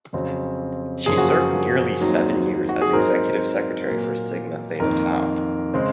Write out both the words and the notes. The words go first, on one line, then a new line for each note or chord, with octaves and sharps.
She served nearly seven years as executive secretary for Sigma Theta Tau.
F2 C#3 F#3 C4
F#2 C#3 F3 A#3 G#4
F#4
G#4
D#2 D#3 F#3 C4
F#4
G#4
G#2 F#3 C4 A#4
A#2 F#3 A#3
F2 D#3 A#3 A#4
C#3 G#3 C4